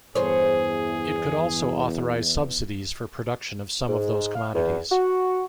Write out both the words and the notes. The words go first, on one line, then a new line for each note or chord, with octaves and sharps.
It could also authorize subsidies for production of some of those commodities.
E2 G2 G#4 C5 C#5
G#2
F5
E2
F#4